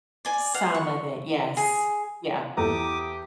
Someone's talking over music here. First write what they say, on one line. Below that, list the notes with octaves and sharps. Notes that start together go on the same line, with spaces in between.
Some of it, yes, yeah.
D5 G#5
F5 F#5
C#6
G#4
E2 G4 A4 A#5 D6 D#6